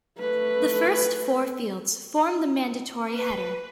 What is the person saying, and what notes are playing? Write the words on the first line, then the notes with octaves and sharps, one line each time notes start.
The first four fields form the mandatory header.
A3 B4
B4